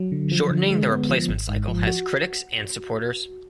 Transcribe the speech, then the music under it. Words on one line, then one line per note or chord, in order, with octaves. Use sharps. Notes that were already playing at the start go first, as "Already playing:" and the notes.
Shortening the replacement cycle has critics and supporters.
Already playing: F#3
D3
F3
D3
G#3
B3
F3
G#1
G#2
F3
F#4